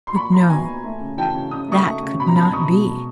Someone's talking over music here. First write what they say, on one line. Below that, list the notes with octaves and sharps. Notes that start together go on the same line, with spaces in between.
But no, that could not be.
C6
A#2 B5 C#6
A#2 A#5 C6
B3 G#5 A#5
A#2
A3
C#3
E3 G5 A5
C#3
C#3 D#6
A3 C#6 D#6
A3
C#3
B2 B5
A#5
B2 A5 B5
B2 C#6 D#6
B2
G#3